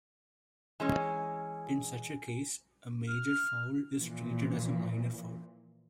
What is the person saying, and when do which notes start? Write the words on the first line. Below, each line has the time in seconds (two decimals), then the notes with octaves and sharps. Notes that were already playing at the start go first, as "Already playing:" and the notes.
In such a case, a major foul is treated as a minor foul.
0.80 E3 G#3 C#4 G#5
3.07 F6
3.98 A#2 E3 F3